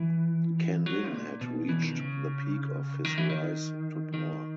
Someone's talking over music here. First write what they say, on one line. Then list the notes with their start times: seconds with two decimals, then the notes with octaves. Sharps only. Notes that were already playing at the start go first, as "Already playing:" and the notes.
Ken Ling had reached the peak of his rise to power.
Already playing: E3
0.86 F#3
1.13 A#2
1.41 B2
1.69 E3
1.83 D#3
1.95 C#3
3.05 D#3
3.17 E3
3.30 D#3
4.14 D#3